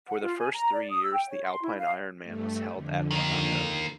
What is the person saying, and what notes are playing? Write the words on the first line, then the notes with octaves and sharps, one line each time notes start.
For the first three years, the Alpine Ironman was held at Wanaka.
F#5
F4
G#5
A#5
D5
D#6
E6
G5
C#5
C6
E4
F5
G2 A3
F2 D3
D#3 A#3